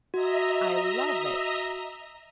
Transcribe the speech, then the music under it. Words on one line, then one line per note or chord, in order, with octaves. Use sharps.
"I love it."
F#4 D#5 E5 A#5